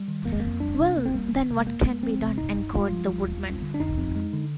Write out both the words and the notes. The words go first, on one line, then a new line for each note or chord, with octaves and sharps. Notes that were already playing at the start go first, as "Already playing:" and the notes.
Well, then, what can be done? enquired the Woodman.
Already playing: G3
D#3
F2 A#3
G#3
F2 A#3
G3 D4
C3
D2 A#3
C4
G3 A#3
D#3
C3
G#3
F2 A#3
G#3
F3 C4
C3
G2 D#4
G2
G#3 F4
F3
D#2
D#2
G3
D3
D4
F2 D#4
F2
G#3
D3